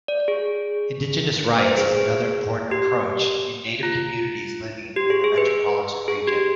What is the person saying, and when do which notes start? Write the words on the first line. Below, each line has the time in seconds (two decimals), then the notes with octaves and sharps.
Indigenous rights is another important approach in native communities living in the metropolitan region.
0.08 D5
0.28 G#4
1.59 C5
1.69 B4
1.77 G#4
1.97 G#4
2.71 G4
3.83 F4
4.96 G4
5.10 G#4
5.24 G#4
5.38 B4
6.08 G#4
6.27 G4